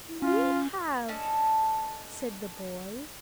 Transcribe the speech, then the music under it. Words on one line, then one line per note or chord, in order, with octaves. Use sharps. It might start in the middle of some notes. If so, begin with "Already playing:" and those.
"We have," said the boys.
C#4 F4
C#4 D4 A4 D#5